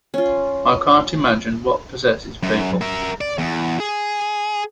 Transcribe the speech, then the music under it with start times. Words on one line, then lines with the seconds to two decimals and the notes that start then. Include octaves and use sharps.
I can't imagine what possesses people.
0.14 C#4 F4
2.43 F#2
2.81 A#4 E5
3.21 D5
3.39 E2
3.80 G#4